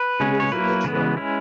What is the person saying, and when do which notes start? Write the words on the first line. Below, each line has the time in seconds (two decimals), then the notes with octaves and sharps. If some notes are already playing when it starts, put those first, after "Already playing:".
He lives in Eschweiler.
Already playing: B4
0.20 C#3 G#3 C#4
0.40 C#5
0.52 F#3 A#3 E4 B4
0.84 C#3 E3 G#3 B3
1.17 G#3 C#4 E4